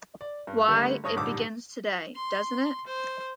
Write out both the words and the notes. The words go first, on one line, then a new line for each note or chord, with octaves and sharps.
Why, it begins today, doesn't it?
D5
G2
D3 G3 A3 A#3
G2 C#5 D#6 A#6
D#1 G#2 D3 G3 D6 E6
C6
C5